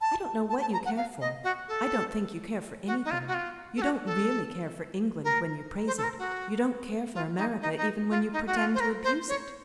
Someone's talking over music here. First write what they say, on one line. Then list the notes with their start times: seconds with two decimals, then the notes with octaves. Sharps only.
"I don't know what you care for; I don't think you care for anything. You don't really care for England when you praise it; you don't care for America even when you pretend to abuse it."
0.01 A5
0.49 A5
0.61 A5
0.73 A#5
0.85 F#5
0.97 F5
1.21 D#5
1.44 F#4
1.68 A4
2.87 F#4
3.05 D#4
3.11 F4
3.28 F#4
3.34 F4
3.76 A4
3.82 F#4
4.06 A4
5.24 A#4
5.87 C5
5.97 A4
6.03 A#4
6.19 F#4
7.14 F4
7.37 D#4
7.61 D#4
7.77 D#4
8.10 F4
8.33 D#4
8.47 F#4
8.57 F4
8.74 C5
8.80 A#4
9.04 C5
9.28 C#5